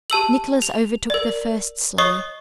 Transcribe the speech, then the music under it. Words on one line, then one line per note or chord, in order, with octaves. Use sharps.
Nicholas overtook the first sleigh.
G4 A5 E6 F#7
F7
A#4 D5
C#5 D#5 C#6 D#6 C7